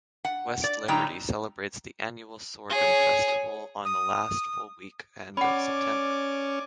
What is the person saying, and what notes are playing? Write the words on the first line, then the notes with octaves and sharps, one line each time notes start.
West Liberty celebrates the annual Sorghum Festival on the last full weekend of September.
F#5
D5
A2 D3 F#3 D#4 G5 A#5
G#4 C#5
D#6
C#4 D5 F#5 B5 D6